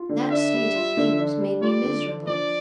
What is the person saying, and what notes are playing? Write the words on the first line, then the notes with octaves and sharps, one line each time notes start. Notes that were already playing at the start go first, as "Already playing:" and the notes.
That state of things made me miserable.
Already playing: F4
D3
D4 E5
G3
F4
D3
D4
G3
F4 D5
D3
D4
F3 D5